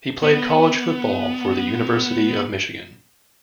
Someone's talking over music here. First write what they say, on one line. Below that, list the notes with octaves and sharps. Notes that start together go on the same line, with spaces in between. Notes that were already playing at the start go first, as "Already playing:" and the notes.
He played college football for the University of Michigan.
B3